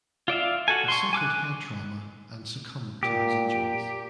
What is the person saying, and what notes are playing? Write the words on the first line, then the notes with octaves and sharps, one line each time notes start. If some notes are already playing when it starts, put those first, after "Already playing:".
He suffered head trauma and succumbed to his injuries.
F4 D5 E5 F5
F#4 A4 G#5
C6 C#6
G#5 D6 E6 F#6
A#2 G4